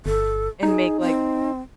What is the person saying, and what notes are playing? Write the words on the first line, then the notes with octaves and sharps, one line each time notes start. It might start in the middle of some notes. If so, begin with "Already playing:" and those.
and make, like,
G1 A4
D#4 G#4
C4